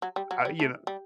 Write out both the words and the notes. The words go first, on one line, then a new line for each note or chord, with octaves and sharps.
uh, you know,
F#3
G3
F#3
G3
A3
G3